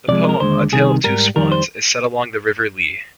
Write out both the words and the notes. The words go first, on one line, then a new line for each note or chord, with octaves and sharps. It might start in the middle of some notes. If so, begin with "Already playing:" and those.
The poem "A Tale of Two Swannes" is set along the River Lee.
C2 C3 F3 G#3 D5
A#4
D#2 D3 G#3 C5
C2 C3 D#3 G#4
G#2 G3 A#4
F2 D#3 G3 A#4
C5